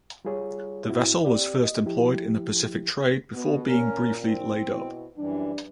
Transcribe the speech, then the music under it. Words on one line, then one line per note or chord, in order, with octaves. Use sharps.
The vessel was first employed in the Pacific trade before being briefly laid up.
G3 F4 G#4 C#5
G#2 C4 E4 F#4
C4 G4 D5
D#5
F3 E4 G4
B2
A#2 C#4 A#4
C4
B2 E4
F#2 E3 G3 D4